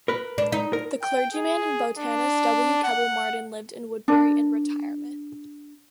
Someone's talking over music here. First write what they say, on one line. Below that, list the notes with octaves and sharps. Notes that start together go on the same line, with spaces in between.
The clergyman and botanist W. Keble Martin lived in Woodbury in retirement.
A#4 B4
D4
D#4
A#4
G5
G#4
D4
F#5
D4 A#4